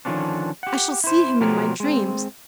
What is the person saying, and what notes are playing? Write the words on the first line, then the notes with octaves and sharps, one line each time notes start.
I shall see him in my dreams.
D3 D#3 F3 B3 C#4 D4
G4 F#5
E4 C5
B2 F3 F#3 G4 A#4
G#3 C4